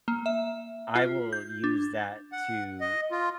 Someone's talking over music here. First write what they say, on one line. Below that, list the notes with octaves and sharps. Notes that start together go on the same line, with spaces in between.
I will use that to
A#3
E5
F4
G6
D4
F#5
D#5
F4